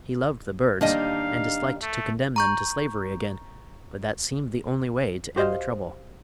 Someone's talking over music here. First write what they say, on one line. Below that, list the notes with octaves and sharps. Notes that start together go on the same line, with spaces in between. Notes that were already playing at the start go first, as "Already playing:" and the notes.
He loved the birds, and disliked to condemn them to slavery again; but that seemed the only way to end the trouble.
D#2 G3 D4 D#4 D#5 F5
A3
A#5 C#6 G6
F#4 G4 C5 D5 D#5 F5